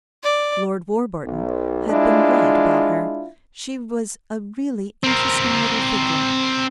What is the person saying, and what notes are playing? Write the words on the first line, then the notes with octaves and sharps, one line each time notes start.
Lord Warburton had been right about her; she was a really interesting little figure.
D5
B1
G#3 D4 E4 F4
C4 A#4